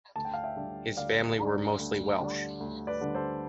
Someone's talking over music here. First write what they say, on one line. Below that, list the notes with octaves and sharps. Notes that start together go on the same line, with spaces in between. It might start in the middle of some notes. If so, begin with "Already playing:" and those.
His family were mostly Welsh.
D2 A5
G5
F5
E5 G5
D3 G3 D4
D2 D5 F5
D3 G3 D4
D2
D3 G3 D4
D2
B4 D5
D3 G3 D4
A4 C5